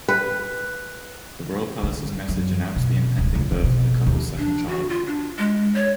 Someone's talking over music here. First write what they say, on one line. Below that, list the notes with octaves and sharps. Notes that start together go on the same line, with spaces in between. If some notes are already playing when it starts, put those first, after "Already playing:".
The royal palace's message announced the impending birth of the couple's second child.
B4
D3
F#2
B2
D1
C#2
D3
B2
D#2
D4
F#4
F4
D4
G#3
C#5